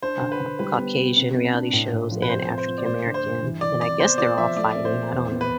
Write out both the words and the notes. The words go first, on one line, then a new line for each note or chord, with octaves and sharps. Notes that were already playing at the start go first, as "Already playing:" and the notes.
uh, Caucasian reality shows and African American, and I guess they're all fighting, I don't know.
D4 C5
D3
B4
D3
G3 B4
B3
B3
C3
C3
D4
A2
A2
F3
B4
C3 C5
C3
C5
F3
D5
A3 C5
D3
C5
G2
E3
E3 D5
C3 D5
B3 C5
F4 D5
F3 E5
A3 D5
E5
C4 D5
C5
C4
E2
B3
B4